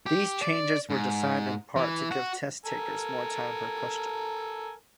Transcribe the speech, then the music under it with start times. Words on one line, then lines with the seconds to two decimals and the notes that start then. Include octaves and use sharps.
These changes were designed in part to give test-takers more time per question.
0.06 G4
0.42 D5
0.90 G#2
1.76 E3
2.11 F#4
2.66 A4 A#4 G#5